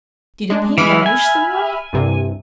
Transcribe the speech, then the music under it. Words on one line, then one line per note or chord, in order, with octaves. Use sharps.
"Didn't he vanish somewhere?"
G#3 D4
E3 G#3 E5 B5 F6
G#5
C2 G2 C3